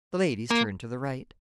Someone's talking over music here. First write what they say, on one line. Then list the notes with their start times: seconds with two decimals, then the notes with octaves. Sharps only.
The ladies turned to the right.
0.50 A#3